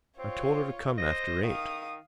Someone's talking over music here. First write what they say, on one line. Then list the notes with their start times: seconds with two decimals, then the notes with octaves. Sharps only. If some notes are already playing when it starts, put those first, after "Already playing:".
I told her to come after eight.
0.19 C4 F4 C#5
0.98 C5 D#5
1.43 D#3 F5 D#6